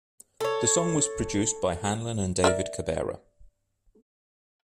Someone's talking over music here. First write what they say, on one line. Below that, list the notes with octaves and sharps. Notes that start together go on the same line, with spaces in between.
The song was produced by Hanlon and David Cabera.
A4 C#5
A#4 D5 E5